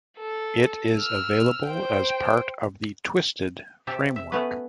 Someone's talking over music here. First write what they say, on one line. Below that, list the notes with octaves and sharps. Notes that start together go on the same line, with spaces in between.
It is available as part of the Twisted framework.
A4
E6 F6
C5 G5
C3 G4 E5 A5
E5
A3 B3 C#4 F#4 B4